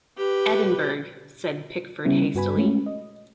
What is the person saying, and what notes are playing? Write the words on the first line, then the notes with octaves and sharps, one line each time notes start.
"Edinburgh," said Pickford hastily.
G4 B4
C#3 G3 B3 C#4 E4
G2 F#4 B4 G#5 B5
G#3 A3 C#4
D#5